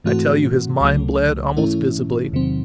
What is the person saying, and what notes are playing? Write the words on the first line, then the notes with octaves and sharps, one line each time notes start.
I tell you his mind bled almost visibly.
G#2 E3 A3 C4 F#4
C#2 C#3 F#3 A3
G#2 E3 A3 C#4 E4
E2 C3 D#3 F#3 C4